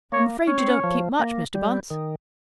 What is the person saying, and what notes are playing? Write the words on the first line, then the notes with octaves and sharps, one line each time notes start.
"I'm afraid you don't keep much, Mr. Bunce."
A#3 C#5
C#4 C#5
C4
C#4
F3
A#3
G3
D#3